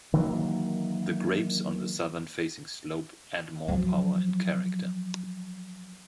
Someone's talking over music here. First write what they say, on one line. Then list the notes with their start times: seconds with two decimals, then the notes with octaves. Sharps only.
The grapes on the southern facing slope add more power and character.
0.14 D#3 E3 F#3 A#3
3.68 F3 F#3